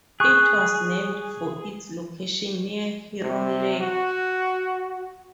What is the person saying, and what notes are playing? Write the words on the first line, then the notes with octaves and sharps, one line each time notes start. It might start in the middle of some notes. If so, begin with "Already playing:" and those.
It was named for its location near Heron Lake.
G#4 C#6 F#6
C3
F#4